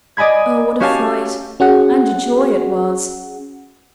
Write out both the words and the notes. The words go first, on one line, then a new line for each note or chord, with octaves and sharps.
Oh, what a fright and a joy it was!
D5 D#5 G#5 B5 G#6
C#4 F#4 G4 F5 G#5 A5
C#4 F#4 G#4 F#5